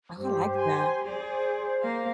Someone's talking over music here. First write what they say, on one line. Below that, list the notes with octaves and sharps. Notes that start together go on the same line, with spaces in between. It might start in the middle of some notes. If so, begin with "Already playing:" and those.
I like that.
G2 G4 C5
G#5 C6
G#4 C5 D5
A#3 F5